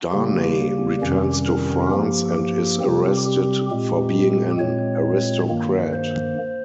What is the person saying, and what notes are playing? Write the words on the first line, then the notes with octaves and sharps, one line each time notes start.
Darnay returns to France and is arrested for being an aristocrat.
C#3 G3 A#3 G4
F2 C3 D#3 G3 C#4
A#4
G2 F3 A#3 G4
G4
C3 G3 C4
G4
A#2 G#3 C4 G4
A#2 G#3 C4 C#5
G2 D#3 A#3
C5